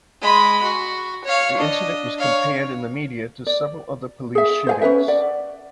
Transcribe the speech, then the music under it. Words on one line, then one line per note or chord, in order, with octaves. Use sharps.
The incident was compared in the media to several other police shootings.
G#3 B5
F#4
C#5 F5
D4 D#5
C#5 F5
D5
G#4 E5
C5 F5 G#5
C#4 A#4 B4 E5
D5 F#5